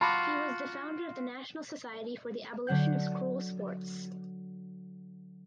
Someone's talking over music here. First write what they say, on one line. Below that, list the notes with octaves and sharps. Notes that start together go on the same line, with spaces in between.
He was the founder of the National Society for the Abolition of Cruel Sports.
F4 F#4 A5 B5 D6
D3 F#3 F#5 G6